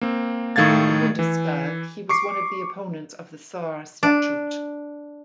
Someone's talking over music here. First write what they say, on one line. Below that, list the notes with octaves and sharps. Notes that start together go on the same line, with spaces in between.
In the Bundestag he was one of the opponents of the Saar Statute.
A#3 C4
A2 D#3 A3 F5 G#6 A6
E3
C#6 D6 C7
D4